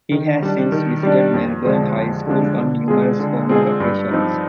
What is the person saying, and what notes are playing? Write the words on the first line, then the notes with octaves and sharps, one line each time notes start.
He has since visited Melbourne High School on numerous formal occasions.
D#3
G3 D4
D#3
G3 D4
F2
D3 F3 G#3 D4
F2
D3 F3 G#3 D4
D3
G#3 C4 F4 G#4
D3
G#3 C4 F4 G#4
G2
F3 C4 D#4